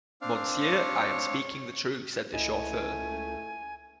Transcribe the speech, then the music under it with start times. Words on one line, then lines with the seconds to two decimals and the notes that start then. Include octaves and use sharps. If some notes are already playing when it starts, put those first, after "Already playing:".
"Monsieur, I am speaking the truth," said the chauffeur.
0.22 C4 D4 F5
0.62 C#5
2.33 C#2 A3 E4 D#5 G#5